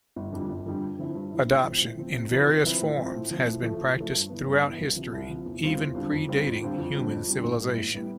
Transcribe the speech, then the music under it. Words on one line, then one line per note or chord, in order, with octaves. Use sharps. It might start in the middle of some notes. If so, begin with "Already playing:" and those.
Adoption, in various forms, has been practiced throughout history, even predating human civilization.
G1
F2 D3 G3 D4
G1
F2 D3 G3 D4
G2
D3 F3 C4 E4
G2
D3 F3 C4 E4
A2
F3 C4
A2
F3 C4
C3
F3 C4 E4 B4
C3
F3 C4 E4 B4
A2
F3 C4
A2
F3 C4
A2
F3 A3
A2
F3 A3
G2
E3 B3
G2
E3 B3
C2
C3 F3
C2
C3 F3
E2
D3 G3 C4 F4
E2
D3 G3 C4 F4
F2
D3 G3 C4 F4
F2
D3 G3 C4 F4
F2
D3 G3 C4
F2
D3 G3 C4
A1
A2 G3 B3 E4
A1
A2 G3 B3 E4